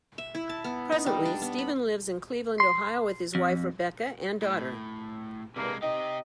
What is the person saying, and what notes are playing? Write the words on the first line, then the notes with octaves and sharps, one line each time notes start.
Presently, Stephen lives in Cleveland, Ohio with his wife Rebecca, and daughter.
E5
E4
A5
B3
D#4
G3
D4
B3
B5
C6
F2
A2
E2 G2 C3 G#3 A#3
C4 D#4 G4 D#5